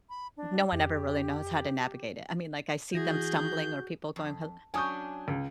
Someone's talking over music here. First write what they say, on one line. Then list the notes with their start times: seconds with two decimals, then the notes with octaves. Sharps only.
No one ever really knows how to navigate it. I mean, like, I see them stumbling or people going ho
0.09 B5
0.37 D4
0.73 F2 G4
2.94 E3 E4 F#4 G#4 G6 A#6
4.16 F2
4.74 F#3 C#4 D4 G#5 D#6 G6
5.28 C#2